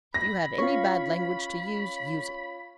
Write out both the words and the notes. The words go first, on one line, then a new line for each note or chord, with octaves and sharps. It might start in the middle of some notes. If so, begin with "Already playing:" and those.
'If you have any bad language to use, use it.
B5 A#6
C#4 F4 F5 C#6